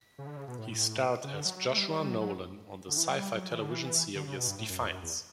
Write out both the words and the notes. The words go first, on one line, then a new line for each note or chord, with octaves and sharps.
He starred as Joshua Nolan on the Syfy television series "Defiance".
C#3
D3
C#3
B2
A2
C#3
D3
F#3
F#3
A3
G3
G3
G3
F#3
F#3
D3
E3
F#3
G3
F#3
E3
D3
E3
D3
C#3
B2
G2
A2
F#2
E2
F#2
E2